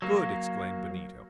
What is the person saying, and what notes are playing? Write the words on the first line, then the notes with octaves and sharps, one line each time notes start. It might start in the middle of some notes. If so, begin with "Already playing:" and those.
"Good!" exclaimed Benito.
F#3 A#3